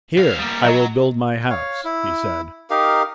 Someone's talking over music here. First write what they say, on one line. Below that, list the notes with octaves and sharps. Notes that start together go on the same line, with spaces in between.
"Here I will build my house," he said.
C2 F5
G3 A#3 D#6
F#3 D#5 A#5
C#5 F5
E4
D#4 G4 A#4 F5